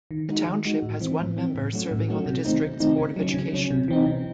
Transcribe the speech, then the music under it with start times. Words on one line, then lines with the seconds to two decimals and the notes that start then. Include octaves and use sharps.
The township has one member serving on the district's Board of Education.
0.11 D#3
0.29 G#3 D#4 F#4
0.47 D#3
0.65 G#3 D#4 F#4
0.82 A2
1.00 E3 C4
1.19 A2
1.37 E3 C4
1.55 A2
1.73 F#3 A3 C#4 F#4
1.91 A2
2.08 F#3 A3 C#4 F#4
2.26 C3
2.45 D#3 A3 C4 D#4
2.62 C3
2.80 D#3 A3 C4 D#4
2.98 C#3
3.16 F#3 C#4
3.34 C#3
3.53 F#3 C#4
3.70 C3
3.88 E3 C4 D#4
4.06 C3